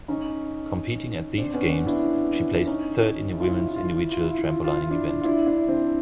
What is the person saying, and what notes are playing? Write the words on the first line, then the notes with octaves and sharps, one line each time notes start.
Competing at these games, she placed third in the women's individual trampolining event.
C#4 D#4
C4 D4
B3 C#4
B3 C#4
D4 E4
C#4 D#4
E4
F4
E4
F4
E4
F4
E4
F4
E4
F4
E4
F4
E4
F4
E4
F4
E4
F4
D4 E4
F4
D4 E4
D4 E4
C4 D4